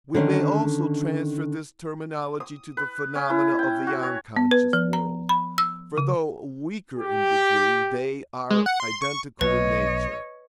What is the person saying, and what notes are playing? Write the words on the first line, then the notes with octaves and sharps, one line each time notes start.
We may also transfer this terminology to the phenomena of the unconscious world, for though weaker in degree, they are identical in nature.
D3 D#3 C#4
D#6
B4
C#4
E4
G5
F#4
C#5
B3
B4
F3
A#5
B5
E6
C#3
G4
G#3
F#5
C6
C#6
B1 B4 C#5 D#5